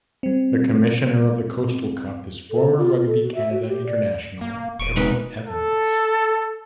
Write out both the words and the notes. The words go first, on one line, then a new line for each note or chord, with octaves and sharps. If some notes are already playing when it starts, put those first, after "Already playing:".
The commissioner of the Coastal Cup is former rugby Canada international Eddie Evans.
G3 C4
A4
F4
A4
F#4
E5
F#4
G4
D5
A#3
E1 C#6 D7 D#7
G#3 D#4 A#4 B4
A4